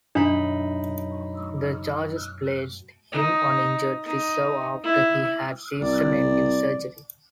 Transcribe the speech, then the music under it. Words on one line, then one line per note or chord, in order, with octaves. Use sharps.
The Chargers placed him on injured reserve after he had season-ending surgery.
F#2 B2 F#3 D4 D#4 B5
D#4
D#4
E4
C2 D5